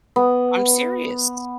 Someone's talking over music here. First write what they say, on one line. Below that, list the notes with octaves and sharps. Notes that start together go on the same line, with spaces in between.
I'm serious.
B3